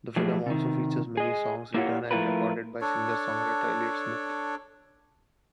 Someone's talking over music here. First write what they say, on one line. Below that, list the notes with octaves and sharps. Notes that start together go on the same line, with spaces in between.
The film also features many songs written and recorded by singer-songwriter Elliott Smith.
A2 F3 F#3 A3 G4 G#4
C3 D#3
G#4 D#5
A#3 E4 F4 G4 C#5 F#5
F3 A3 E4 F4 A#4 B4
D4 A4 C#5